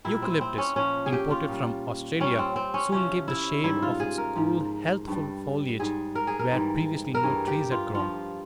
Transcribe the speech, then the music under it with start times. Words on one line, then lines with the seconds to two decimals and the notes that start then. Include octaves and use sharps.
Eucalyptus, imported from Australia, soon gave the shade of its cool, healthful foliage where previously no trees had grown.
0.05 A#2 G3 E4
0.22 C4
0.41 C4
0.58 C#4
0.76 A#2 F3 C#4
1.06 G#4
1.13 G4
1.31 F4
1.48 A#2 G3
2.20 A#2 G3 C#4
2.39 C4
2.56 C4
2.74 C#4
2.92 C3 F3 C#4
3.28 E4
3.64 G#2 G3 E4
3.82 F4
4.00 G#4
4.18 A#4
4.36 G#2 F3
5.08 G2 G3
5.79 G#2 G3 G#4
6.15 A#4
6.27 G#4
6.39 A#4
6.51 G#2 E3 G3
7.15 A#4
7.23 G2 E3 G3 G#4
7.47 G4
7.71 F4
7.95 G2 F3 F4